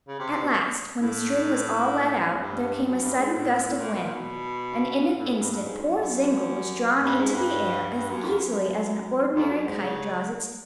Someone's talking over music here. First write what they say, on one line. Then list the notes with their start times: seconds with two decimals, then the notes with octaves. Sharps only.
At last, when the string was all let out, there came a sudden gust of wind, and in an instant poor Zingle was drawn into the air as easily as an ordinary kite draws its tail.
0.08 C#3
0.20 C3
0.31 C3
0.43 B2
1.01 A2
2.41 G2
2.87 F#2
3.02 G2
3.18 G#2
3.33 A2
3.69 A2
3.79 A#2
3.95 B2
4.03 A#2
4.14 B2
5.19 A2
5.30 G#2
5.41 G2
5.53 G2
5.65 G#2
5.80 F#2
5.95 F#2
7.04 G2
7.20 G#2
7.35 G2
7.97 G2
8.11 F#2
8.25 F2
8.39 F#2
9.36 F2
9.51 F#2
9.67 G#2
9.82 C#3